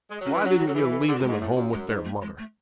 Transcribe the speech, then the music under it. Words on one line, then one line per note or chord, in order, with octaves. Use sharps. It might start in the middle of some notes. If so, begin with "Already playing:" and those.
Why didn't you leave them at home with their mother?
G#3
F#3 C#4
E3
C#4
F#3 D4
F#4
F#3 A4
E3 G#4
A4
D3 G#4
F#2 F#4
G#3
G#2 A3
A2
F#2
F#2 G#3
G#2 G#3
A3
G#3
A3